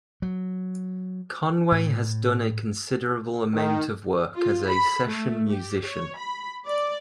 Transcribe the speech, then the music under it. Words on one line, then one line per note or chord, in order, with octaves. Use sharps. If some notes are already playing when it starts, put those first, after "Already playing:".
Conway has done a considerable amount of work as a session musician.
F#3
A2
D#3
F4
B5
A3
G4
C#5
B5
D5